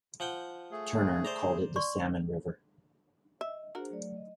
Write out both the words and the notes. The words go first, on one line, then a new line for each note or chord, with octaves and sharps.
Turner called it the Salmon River.
F3 F#5 G5
A3 G#4
C5 D5 A#5
D5 C6 C#6
D#5 E5
D4 F#4 G#4 A#4 C5
F#3 A3 D5
D#5